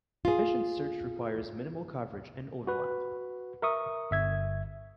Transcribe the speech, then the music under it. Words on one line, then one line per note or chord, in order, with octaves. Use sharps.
Efficient search requires minimal coverage and overlap.
F4 G#4
F#4 B4
A#4 E5 C#6 D#6
G1 E5 G#6